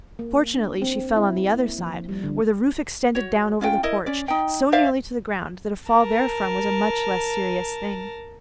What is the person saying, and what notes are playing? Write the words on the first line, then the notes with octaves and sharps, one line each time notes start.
Fortunately she fell on the other side, where the roof extended down over the porch so nearly to the ground that a fall therefrom was a much less serious thing.
A#3
D4
C4
E4
A#3
F3
G3
D3
F#4 C#5
C#4 F4 D5 G5
E4 A#4 D#5
C#4 D5
D#4 G5
C5 D5 E5 F5
A#4 A5